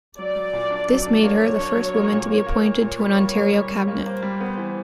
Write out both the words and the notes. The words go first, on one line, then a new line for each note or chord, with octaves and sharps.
This made her the first woman to be appointed to an Ontario cabinet.
F#3 D5
F#3
A#2
D4
F#3
D4
A#3 C#5
F#3
D4
F#3
A#3
A#2
A#3 C#5
A#3
A#2
A#2 C#5
G3
A#3
A#3
G3
G3
A#3 C5
A#3
G3
B3
E3